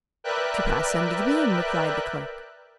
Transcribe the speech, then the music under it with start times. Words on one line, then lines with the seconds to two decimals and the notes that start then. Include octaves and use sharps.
"To pass under the beam," replied the clerk.
0.24 A#4 B4 D5 E5 G5 F#6